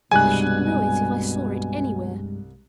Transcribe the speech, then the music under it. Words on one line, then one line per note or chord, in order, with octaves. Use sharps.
I should know it if I saw it anywhere.
C2 G2 B2 G3 G#3 G#5 F#6